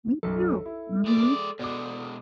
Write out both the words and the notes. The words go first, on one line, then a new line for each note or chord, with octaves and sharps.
Me too. Mhm.
B1 F#2 A4
E4
G#3 D5
B2 G#3 D5 D6